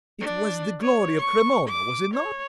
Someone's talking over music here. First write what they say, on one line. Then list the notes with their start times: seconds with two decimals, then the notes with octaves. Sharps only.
It was the glory of Cremona, was it not?
0.21 D4
0.82 C#5
1.18 C#6
1.68 D6
2.14 C#5